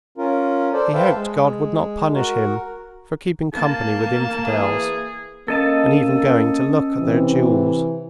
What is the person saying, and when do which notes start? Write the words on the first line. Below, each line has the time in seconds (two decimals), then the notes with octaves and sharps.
He hoped God would not punish him for keeping company with infidels, and even going to look at their duels.
0.18 C#4 F4 A#4
0.73 A4 C5 D5
0.94 B4 C5 E5 F5 G5 A5
1.14 G#3
2.14 F#4 A#4
3.54 A#3 A5
4.46 E3 G#4
5.48 A#3 C#4 A4 D#5 A5
7.00 C3 E3